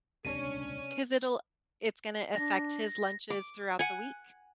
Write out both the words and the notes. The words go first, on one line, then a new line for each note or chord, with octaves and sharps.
'Cause it'll it's gonna affect his lunches throughout the week.
D#1 G#1 C#2 C3 C#4 D4 D#7
D4 A#6
D6
F#5 G#5